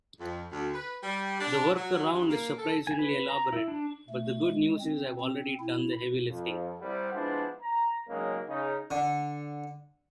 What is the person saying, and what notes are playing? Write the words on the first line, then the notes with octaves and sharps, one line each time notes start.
The workaround is surprisingly elaborate, but the good news is I've already done the heavy lifting.
F2
D2
B4
G3
D4
F#3
G2
A#3
A4
G#5
B4
A#5
E4
D4
A3
G#3
C4
C4
E4
F2
C2 G3 C5 F#5
F3 G#3 B3 D4 E4 C5
A#5
C#3 F#3 G#3 A#3 C4 D#4
C#3 D#4
D3